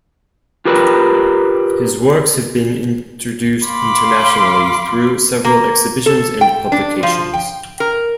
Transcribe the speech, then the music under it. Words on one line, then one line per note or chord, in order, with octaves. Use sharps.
His works have been introduced internationally through several exhibitions and publications.
F4 G4 A#4 B4
F5 B5 C6 D6
A#3
A4
G5
D4
F3
G5
A#4